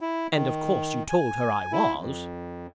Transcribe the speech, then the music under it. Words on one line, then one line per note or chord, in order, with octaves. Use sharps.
"And of course you told her I was."
E4
D#3
G#5
E4
F2